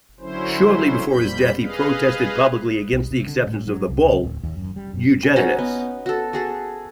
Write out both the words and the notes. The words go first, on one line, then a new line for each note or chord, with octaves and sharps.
Shortly before his death he protested publicly against the acceptance of the bull "Unigenitus".
D3 F#3 C#4 E4 C5
F2 A#2 G3 B5 G6
G#4 B4 D#5 F5
B1
C3
D3
A2
F#3
C2
C#2
D1
D#2
F#2
G3
F#2
C#4 D#4 F#4
B3
F#4 A4
F#4 G#4 A4